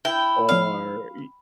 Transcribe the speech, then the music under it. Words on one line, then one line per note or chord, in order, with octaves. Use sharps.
Or y
E4 G5
F3 B3 D5 F5